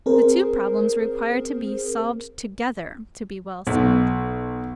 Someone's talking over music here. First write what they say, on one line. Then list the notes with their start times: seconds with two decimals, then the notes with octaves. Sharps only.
The two problems require to be solved together, to be well solved.
0.06 C4 G#4 A#4 C5
3.67 B1